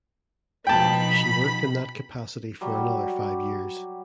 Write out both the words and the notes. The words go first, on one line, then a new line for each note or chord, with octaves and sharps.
She worked in that capacity for another five years.
B2 F3 D#4 G5 A5 B5
F#3 G3